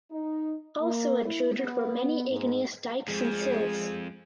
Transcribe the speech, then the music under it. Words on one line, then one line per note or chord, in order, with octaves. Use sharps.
Also intruded were many igneous dikes and sills.
D#4
A#3
E4
B3
G#2
F2 F3 G#3 G#4